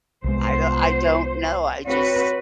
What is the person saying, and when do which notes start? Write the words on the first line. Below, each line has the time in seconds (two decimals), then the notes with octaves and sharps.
I do I don't know, I just
0.24 C2 F3 G#3 B3 C5
1.85 C4 F#4 B4 C#5